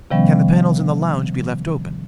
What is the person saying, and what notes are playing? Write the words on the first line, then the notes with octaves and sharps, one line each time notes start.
"Can the panels in the lounge be left open?"
C3 D#3 F3 G3 B3 C#4